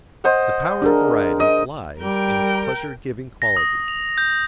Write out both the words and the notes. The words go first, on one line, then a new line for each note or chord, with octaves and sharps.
The power of variety lies in its pleasure-giving quality.
C5 D#5 F#5
D4 G#4 A#4
D#5
G3 A#4 G5
A#6
D#6
F7
G6